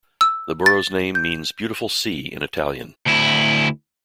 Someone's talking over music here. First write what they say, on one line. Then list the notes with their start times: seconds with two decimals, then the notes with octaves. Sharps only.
The borough's name means "beautiful sea" in Italian.
0.21 E6
0.66 A6
1.15 G6
3.07 D2 E4